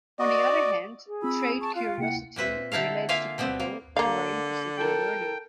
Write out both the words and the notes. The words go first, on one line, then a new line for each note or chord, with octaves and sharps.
On the other hand, trait curiosity relates to people who are interested in learning.
F#4 D5 D#5
G#4
C4 F4 B5 E6
A5 C#6
F4 F5 F#6
C3 A#3 E4 F#5 G5
A#2 C4 B4 E5
D3 D#4 E4 A4 F5
A#3 F4 E5 F5 G#5
B2 G3 B3 C4
A#3
D3 A#3 F5
A4 A#4 G5